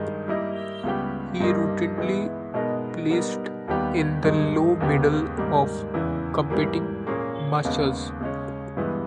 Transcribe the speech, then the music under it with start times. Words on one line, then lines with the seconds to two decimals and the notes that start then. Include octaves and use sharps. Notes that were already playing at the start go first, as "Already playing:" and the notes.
He routinely placed in the low middle of competing mushers.
Already playing: G2 D#3 G#3
0.28 G3 A#3 E4 A#4 D#5
0.83 C#2 C#3 G3 B3 G4
1.40 G2 G3 A#3 D#4
1.97 E3 G#3 B3 E4
2.54 B2 G#3 B3 D#4 A#4
3.10 G3 B3 D#4 A#4
3.68 D#2 D#3 G3 B3 G4
4.24 G2 D#3 G#3
4.80 D#2 C#3 G#3 B3 G4
5.37 G#2 D#3 G3 A#3
5.94 E2 C#3 E3
6.50 G#2 E3 G3 A#3
7.07 A#2 A#3 C#4 G#4
7.65 D#2 C#3 G#3 B3
8.21 C#3 G#3 C#4
8.77 G2 E3 G#3 B3